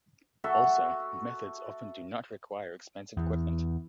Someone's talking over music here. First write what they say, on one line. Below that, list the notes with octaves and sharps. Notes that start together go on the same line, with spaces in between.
Also, methods often do not require expensive equipment.
F#4 A4 E5
E2